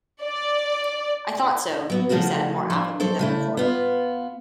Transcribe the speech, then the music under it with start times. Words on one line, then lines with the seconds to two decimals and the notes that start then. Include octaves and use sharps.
'I thought so,’ he said, more affably than before.
0.23 D5
1.90 F#3 B3 F#4
2.09 C#3 F3 A3 C#4 F#4 A#4
2.70 F3 D4
3.00 F#3 A4 C5
3.19 C#3 A3 E4
3.57 B3 F4